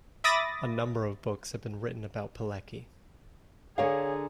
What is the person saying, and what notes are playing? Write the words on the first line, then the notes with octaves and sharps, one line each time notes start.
A number of books have been written about Pilecki.
E5 B5 D6 D#6 A6 A#6
D3 G#4 A#4 C#5 F5 G#5